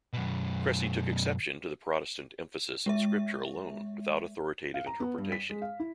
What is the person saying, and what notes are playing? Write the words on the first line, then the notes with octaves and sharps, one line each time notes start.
Cressy took exception to the Protestant emphasis on scripture alone without authoritative interpretation.
F#2 B2
G#3 E5
F5
A#5
B3
G2
B6
G#3
F5
E4